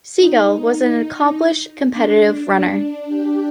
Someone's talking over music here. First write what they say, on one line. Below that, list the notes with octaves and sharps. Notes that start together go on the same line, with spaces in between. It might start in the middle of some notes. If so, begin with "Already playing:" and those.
Segal was an accomplished competitive runner.
D#4
D4
D4
G4